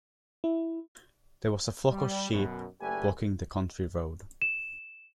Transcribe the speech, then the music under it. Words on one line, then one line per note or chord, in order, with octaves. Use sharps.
There was a flock of sheep blocking the country road.
E4
G3
F#2 B2
F#1 A3 G4 B4 D5 G#5
E7